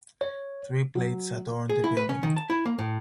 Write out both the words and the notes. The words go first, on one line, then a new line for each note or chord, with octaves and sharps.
Three plates adorn the building.
C#5
F#3
G#4
E4
B4
C#4
D#3
A5
E4
A#3
A2